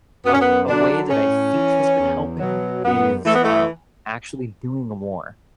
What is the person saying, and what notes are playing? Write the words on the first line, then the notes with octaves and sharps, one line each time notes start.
a a way that I think has been helping is, um, actually doing more,
F#2 B3
C#4
B3
D3 F#3 D4
A2 C#4
E3
E2
B2 F#3
F#2 B3
E3 A3
B3
A3